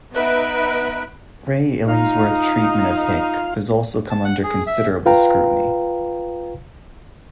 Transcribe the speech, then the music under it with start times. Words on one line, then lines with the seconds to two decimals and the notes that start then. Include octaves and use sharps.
Ray Illingworth's treatment of Hick has also come under considerable scrutiny.
0.13 B3 D#4 B4 E5 F#6 D7
1.88 D#4 F4 F5
4.10 A5
4.24 F#5
4.43 G#4
4.67 E5
5.06 F4 B4 F5 G5 A#5